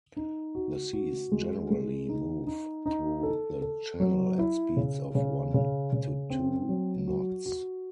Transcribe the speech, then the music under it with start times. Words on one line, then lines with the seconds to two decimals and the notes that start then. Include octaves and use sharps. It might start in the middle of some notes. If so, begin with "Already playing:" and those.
The seas generally move through the channel at speeds of one to two knots.
0.17 D#4
0.55 F#4
0.93 F#4
1.32 G#3
1.70 G#3
2.09 D#4
2.47 D#4
2.86 D#4
3.23 A4
3.62 A4
4.00 F#3
4.39 E4
4.77 C#3
5.15 C#3
5.54 C#3
5.92 C#3
6.30 C4
6.69 F#3
7.08 F#4
7.46 F#4